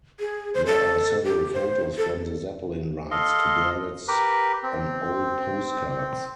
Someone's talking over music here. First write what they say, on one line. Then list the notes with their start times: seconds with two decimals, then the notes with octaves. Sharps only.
There are several photos from the Zeppelin rides to Görlitz on old postcards.
0.20 G#4
0.54 C5
0.66 A4
1.24 G4
1.54 C5
1.97 A4
3.11 A4 D#5 F5 C6
4.08 G4 A#4 B4
4.63 C4